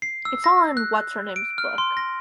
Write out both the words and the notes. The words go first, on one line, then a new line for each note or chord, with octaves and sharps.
It's all in what's-her-name's book.
C7
E6
A#6
F#6
D7
F6
C6
A#6